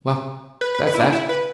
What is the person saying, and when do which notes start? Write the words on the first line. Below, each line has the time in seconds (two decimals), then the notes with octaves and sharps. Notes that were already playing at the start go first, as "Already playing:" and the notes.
Well, that's that.
0.61 B4
0.74 B4
0.87 B4
0.94 E4
1.00 D4
1.13 E4
1.29 B4